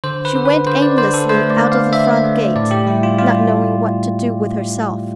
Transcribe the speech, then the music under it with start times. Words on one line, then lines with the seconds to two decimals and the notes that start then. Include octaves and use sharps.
She went aimlessly out of the front gate, not knowing what to do with herself.
0.04 D3 C5
0.25 B4
0.35 D3
0.45 B4
0.66 D3 C5
0.82 D5
0.98 D3 C5
1.14 A4
1.29 A3 C5
1.50 D5
1.61 D3
1.72 F5
1.93 D3 E5
2.24 A3
2.56 A2 D5
2.71 G4
2.87 G3 E4
3.03 F4
3.18 G3 F4